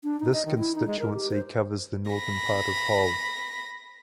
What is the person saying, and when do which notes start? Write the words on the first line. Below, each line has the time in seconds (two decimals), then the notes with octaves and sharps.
This constituency covers the northern part of Hull.
0.04 D4
0.20 D#4
0.33 D#5
0.45 D#3
0.58 E4
0.75 D#4
0.87 G#3
1.00 A#4
1.13 G4
1.31 C5
2.12 B5 A#6